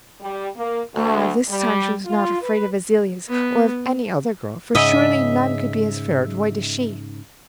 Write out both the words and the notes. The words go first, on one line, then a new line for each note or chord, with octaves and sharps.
Ah, this time she was not afraid of Aziliez or of any other girl, for surely none could be as fair and white as she.
G3
A#3
D2
G3
F4
B4
B3
G#2 C#3 D#5 E5